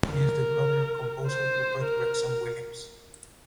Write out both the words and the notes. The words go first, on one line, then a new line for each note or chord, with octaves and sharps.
He is the brother of composer Rupert Gregson-Williams.
A#4
C5
A#4